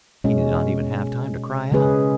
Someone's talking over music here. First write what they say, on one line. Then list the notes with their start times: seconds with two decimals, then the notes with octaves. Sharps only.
He did not even have time to cry out.
0.24 B2 G#3 C#4
1.72 C#3 G#3 C#4 G#4 B4